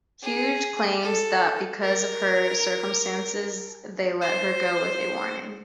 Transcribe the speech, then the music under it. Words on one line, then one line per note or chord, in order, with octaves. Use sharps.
Hughes claims that, because of her circumstances, they let her go with a warning.
G#4
A4
A#4
C5